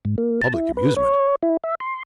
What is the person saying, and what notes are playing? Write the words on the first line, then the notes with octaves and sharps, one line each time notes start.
'Public amusement?
G#2
A#3
A5
E4
B4
C#5
E4
E5
C6